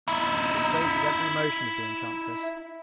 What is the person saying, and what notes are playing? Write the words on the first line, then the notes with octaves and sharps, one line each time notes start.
He sways with every motion of the enchantress.
D#4 E4